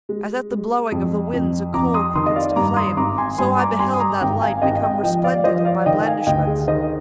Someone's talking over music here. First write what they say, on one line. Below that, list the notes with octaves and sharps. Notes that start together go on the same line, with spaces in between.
As at the blowing of the winds a coal Quickens to flame, so I beheld that light Become resplendent at my blandishments.
G#3
G#3
F2
F2
F2 A#5 D6
C6 D#6
D#3 C6 D#6
D#5
D5 F5
G2 A#5 D6
C6 D#6
G#1 A#5 D6
G#5 C6
G2 G#5 C6
A#5 D6
G2 G#5 C6
D#6
A#5 D6
G#1 G5 A#5
F5 G#5
G#1 D#5 G5
D#5 G5
F3 D#5 G5
D5 F5
F3 C5 D#5
D5 F5
D#3 D#5 G5
F5 G#5
D2 D#5 G5
G#4
D#3 C5 D#5